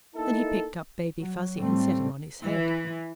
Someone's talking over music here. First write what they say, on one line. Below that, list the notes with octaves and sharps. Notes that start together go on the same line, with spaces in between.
Then he picked up Baby Fuzzy and set him on his head.
A3 A#3 D#4 E4 A4
F#3
A2 G3 A3 C4
E3